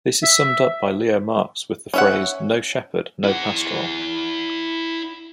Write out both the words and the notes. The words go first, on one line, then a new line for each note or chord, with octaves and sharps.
This is summed up by Leo Marx with the phrase No shepherd, no pastoral.
E5
C#4 E5 F#5
E4 F#5